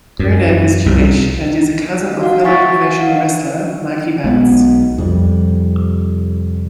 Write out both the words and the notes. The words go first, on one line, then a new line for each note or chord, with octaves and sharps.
Gruner is Jewish, and is a cousin of fellow professional wrestler Mikey Batts.
F#2
C2
F#4 F5 F#5
E4 E5 G#5 C#6 A6 B6
F#5
F5
B1 G#3 B3
F2 C3 G3